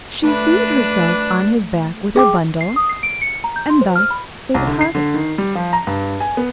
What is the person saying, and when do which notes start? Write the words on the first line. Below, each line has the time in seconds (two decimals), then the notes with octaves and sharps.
She seated herself on his back with her bundle, and thus they departed.
0.23 A3 D4 B4 D5 E5
2.16 G#4 G5 D6
2.61 C7
2.76 D#6
2.89 C7
3.03 D7
3.21 C#7
3.44 A#5
3.56 G6
3.70 C6
3.81 C5
3.96 F6
4.11 B5
4.54 C2
4.67 D3
4.81 C7
4.95 D3
5.14 D#3
5.38 G3
5.55 F3
5.73 A#5
5.87 G2
6.20 G#5
6.37 B3